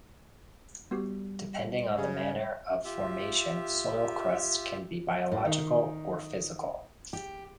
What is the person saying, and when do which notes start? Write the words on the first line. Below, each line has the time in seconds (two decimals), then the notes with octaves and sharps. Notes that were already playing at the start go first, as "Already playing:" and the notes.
Depending on the manner of formation, soil crusts can be biological or physical.
0.91 G3 B3 F#4 G4
1.97 C#3
2.84 F4 G4 E5
5.32 A2
5.45 D#3
7.13 G4